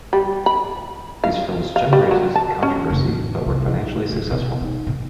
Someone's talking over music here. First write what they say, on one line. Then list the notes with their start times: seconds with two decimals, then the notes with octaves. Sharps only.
These films generated controversy, but were financially successful.
0.13 G3
0.46 B5
1.24 F5
1.76 F5
1.93 G3
2.11 F#3
2.36 A5
2.63 C#4
2.90 F1
3.03 A1
3.46 C2
3.68 D#3
4.10 D1
4.31 B2
4.61 D#4
4.87 B2